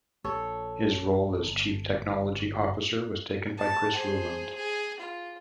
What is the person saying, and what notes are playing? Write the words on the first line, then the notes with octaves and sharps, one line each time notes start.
His role as Chief Technology Officer was taken by Chris Rouland.
A#1 A4 C#5
D1 G1
A5
G#4 C5
G#4
F4